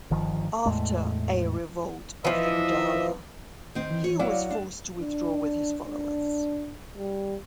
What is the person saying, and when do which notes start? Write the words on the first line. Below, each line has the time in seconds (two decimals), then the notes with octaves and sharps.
After a revolt of the Gudala he was forced to withdraw with his followers.
0.11 G1 D#3 F3
0.66 E2 A2 G#3 A3
2.25 E3 F3 D#5 E5
3.75 D#3 C4
3.91 E3
4.04 C#5
4.19 F#3 E4 D5 F5
4.51 D4
5.02 D4
5.88 D4
6.98 G3